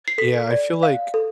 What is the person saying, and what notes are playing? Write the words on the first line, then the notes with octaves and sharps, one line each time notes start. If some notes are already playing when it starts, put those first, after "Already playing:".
yeah, I feel like
C7
A4 B6
D5
F5
A4